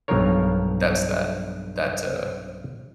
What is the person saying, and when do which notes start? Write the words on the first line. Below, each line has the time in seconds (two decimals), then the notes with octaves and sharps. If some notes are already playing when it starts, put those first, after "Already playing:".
that's that that's uh
0.08 B1 G2 F3 F4 A#4 C#5